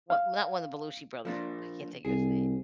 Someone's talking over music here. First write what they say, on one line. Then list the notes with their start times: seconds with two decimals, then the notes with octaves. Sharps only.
what not one of the Belushi brothers, uh, I can't think of his name.
0.10 F5
1.25 F3 A#3 D4
2.05 C2 G#4